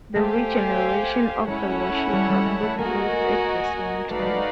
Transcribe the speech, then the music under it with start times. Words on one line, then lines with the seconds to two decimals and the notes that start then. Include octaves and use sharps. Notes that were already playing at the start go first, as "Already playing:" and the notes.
The regeneration of the worshipper took place at the same time.
0.16 A3 G4 C5 F5 G#5
1.47 G#3 C#4 E4 A4 C#5 F#5
2.13 G3
2.29 G3
2.45 G#3
2.62 A3
2.78 A#3 F#4 A#4 D#5 G#5
4.10 A3 D#4 F#4 B4 D5 F5
4.22 G#3 A3